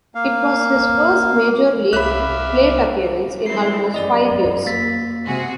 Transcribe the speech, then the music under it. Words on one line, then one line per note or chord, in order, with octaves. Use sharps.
It was his first major league plate appearance in almost five years.
A#3 F5
C2 E5 F5 B5 D6 F#6
G3 C4 E4 C7
F#2 D5 D#5
A#3 A6 B6
C3 F#4 G#4